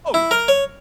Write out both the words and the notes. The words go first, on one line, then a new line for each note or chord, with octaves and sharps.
Oh, yeah.
E4
A#4
C#5